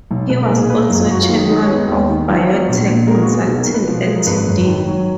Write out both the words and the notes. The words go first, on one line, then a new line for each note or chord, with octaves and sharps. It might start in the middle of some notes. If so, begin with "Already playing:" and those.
He was also chairman of Biotech Consulting Ltd.
B1
B1 B4
A#4
A#2
G#4
A#3 B4
A#4
F#2 G#4
F4
F#2 F#4
F4
D#3
D#4
G#3 D#4
C#4
B3
D#4
D#2 C#4
D#3
F#3 F4
B3
A#1
A#2
G#3 A#4
F#4
B3
G#4
B1
A#4
B2
B4
F3
G#3
A#4
G#1 B4
F#2
D#3
F#3